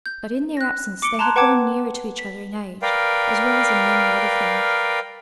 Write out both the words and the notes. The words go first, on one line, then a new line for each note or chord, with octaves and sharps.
But in their absence they had grown nearer to each other in age, as well as in many other things.
G6
F#6 A#6
D6 C#7 D7 G7
A5 A#5 C6 F#6 G#6
B4 F#5 G5 A5 D6 G#6
B6
A#4 B4 D5 F5 G5